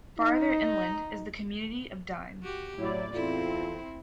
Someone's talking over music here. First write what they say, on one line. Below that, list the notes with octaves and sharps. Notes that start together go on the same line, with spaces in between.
Farther inland is the community of Dime.
D#4
F#4 G4
A2 F#3 E4 D5
E2 C4 E4 F4 A4